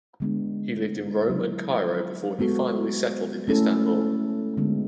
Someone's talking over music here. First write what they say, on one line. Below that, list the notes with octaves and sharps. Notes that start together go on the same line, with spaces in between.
He lived in Rome and Cairo before he finally settled in Istanbul.
D3 G#3 B3 D4
F#3 B3 E4
G#3 B3 F#4 A4
A3 C#4 E4 A4
D3 G#3 B3